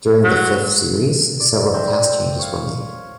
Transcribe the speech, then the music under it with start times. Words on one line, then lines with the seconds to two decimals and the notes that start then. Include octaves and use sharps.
During the fifth series, several cast changes were made.
0.24 F#3
1.40 D5
1.74 C4 D4 E5
2.39 C#5 F5